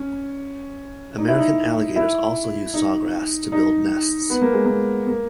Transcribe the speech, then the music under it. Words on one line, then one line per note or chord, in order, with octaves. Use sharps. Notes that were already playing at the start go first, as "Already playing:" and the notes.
American Alligators also use sawgrass to build nests.
Already playing: C#4
D#4
E4
D#4
E4
D#4
D#4
B3
A#3
G#3
A#3
A#3